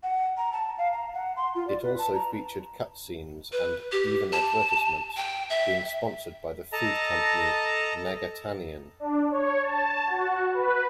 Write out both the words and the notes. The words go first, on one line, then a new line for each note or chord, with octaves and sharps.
It also featured cutscenes and even advertisements, being sponsored by the food company Nagatanien.
F#5
A#5
A5
F5
A#5
F#5
C6
F4
D5
B4
A5
A#5
B4
G4
A5
G5
E5
A4 D#5 A5 A#5
D4
C#5
A5
F#4
B4